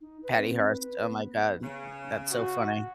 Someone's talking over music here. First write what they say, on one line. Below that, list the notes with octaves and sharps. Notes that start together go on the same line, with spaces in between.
Patty Hearst, oh my God. That's so funny.
D#4
B4
C4
B4
B3
C#3
F#4